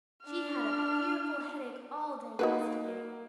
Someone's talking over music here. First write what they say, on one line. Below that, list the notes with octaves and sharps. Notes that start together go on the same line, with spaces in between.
She had a fearful headache all day yesterday.
D4 F6
A#3 D#4 F#4 B4